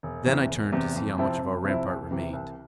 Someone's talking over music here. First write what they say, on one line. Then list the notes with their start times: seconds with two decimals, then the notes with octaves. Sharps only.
Then I turned to see how much of our rampart remained.
0.03 E1
0.26 E2 C3 E3
0.49 E1
0.72 E2 C3 E3
0.96 F2
1.18 C3 F3 C4 E4
1.42 F2
1.64 C3 F3 C4 E4
1.88 C2
2.11 C3 E3
2.33 C2